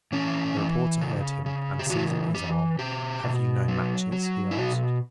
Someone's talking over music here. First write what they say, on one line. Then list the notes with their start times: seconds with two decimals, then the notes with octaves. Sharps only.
The reporter heard him and seizing his arm, "Have you no matches?" he asked.
0.12 E3 C#4
0.57 E3
1.01 C#3
1.46 C#3
1.79 G4
1.90 E3 F#4
2.34 E3 G4
2.79 B2 G4
3.23 B2
3.68 F#3
4.12 F#3
4.51 E4
4.57 B2 F#4